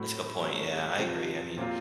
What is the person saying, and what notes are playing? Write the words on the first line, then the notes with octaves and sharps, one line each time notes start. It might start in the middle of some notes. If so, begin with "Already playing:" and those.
That's a good point, yeah, I agree. I mean
Already playing: A2 F#3 A3 C4 F#4
F#3 A3 C#4 F#4
C3 F3 C4 F4
A#2 F#3 C4 F4